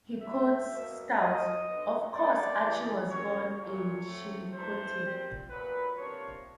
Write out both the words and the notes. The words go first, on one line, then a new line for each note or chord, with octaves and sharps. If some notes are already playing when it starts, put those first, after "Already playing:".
He quotes Stout: Of course Archie was born in Chillicothe.
D3 F#3 A3 E5
B2 F#3 A#3
F3 A#3 D#4 D#5
D3 F#3 B3
C3 D#3 G#3 B3 D4 D5
E3 G3 B3
C#3 F#3 A#3 C#5
A#2 F#3 A3 C#5
F#3 A3 C4
C3 E3 A3 D4 C5
A#2 G3 C4
A#2 F#3 B3 B4
C3 F3 A#3 D4 C#5